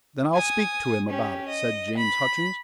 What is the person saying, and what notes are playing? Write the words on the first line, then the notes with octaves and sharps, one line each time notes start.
"Then I'll speak to him about it," said James Hutchings.
G#5 D#6
C#4 G4
D#5
B5